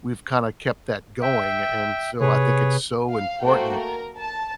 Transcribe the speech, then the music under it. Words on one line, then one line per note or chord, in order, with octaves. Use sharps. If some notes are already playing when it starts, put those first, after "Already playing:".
we've kinda kept that going, and so, I think it's so important,
E5 G5
C3 G#4 B4 C#5
F5
A3 A#3 F#4 C5 G5
A#4
A5